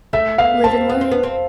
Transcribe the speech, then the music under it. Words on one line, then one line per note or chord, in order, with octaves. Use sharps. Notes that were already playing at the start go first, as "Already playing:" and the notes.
Live and learn.
A3 E5
B3 F5
C4 A5
B3
C4
B3
C4